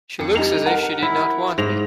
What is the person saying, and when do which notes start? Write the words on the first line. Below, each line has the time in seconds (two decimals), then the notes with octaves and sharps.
She looks as if she did not want me.
0.19 F2 C#7
0.36 G3 D#4 F7
0.66 A#4 F#5
1.02 E4
1.58 G#2 A#6 F7